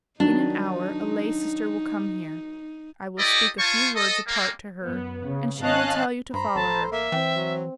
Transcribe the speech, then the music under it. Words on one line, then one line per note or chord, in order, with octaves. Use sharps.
In an hour, a lay-sister will come here, I will speak a few words apart to her, and she will tell you to follow her.
D#3 F#3 D4 D#4
E4 G4 A4 D5 D#5
F4 C5 G#5 A5 C#6
A4 D#5
G3 G#3 A#3
F#2 B3
C#3
G#1 C#4 D#5 F5 A5 F#6
G2 C5 A#5 B5
A1 A4 A5
A#3 E5
E3 C4 G5
F#3